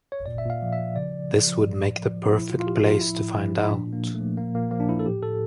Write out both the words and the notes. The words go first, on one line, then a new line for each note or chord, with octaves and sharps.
This would make the perfect place to find out.
C#5
A#2 D5
E5
A#2 F5
F3
E5
F3
C#3 D5
C#3
F3
F3
A2
A2
F3
F3
A#2 E4
A#2 F4
F4
F3 G4
F3 F4
A2 E4
A2
F3
F3
E4
A#2 D4
A#2
A#3
F3
A3
F3
A#2 A#3
A#2 A#3
F3 A#3
D4
F3 E4
A4
A2 G4
A2 A4